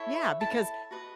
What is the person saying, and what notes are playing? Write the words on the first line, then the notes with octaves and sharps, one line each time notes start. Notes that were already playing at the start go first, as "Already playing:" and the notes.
yeah, because
Already playing: E4 A4 C#5 E5
E4 A4 C#5 A5
F#4 B4 D#5